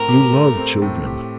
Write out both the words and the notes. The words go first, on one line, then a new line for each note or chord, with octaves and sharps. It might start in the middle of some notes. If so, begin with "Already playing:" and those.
You love children.'
Already playing: A2 A3 C4 A#4
G4
A3
C4
A2
G4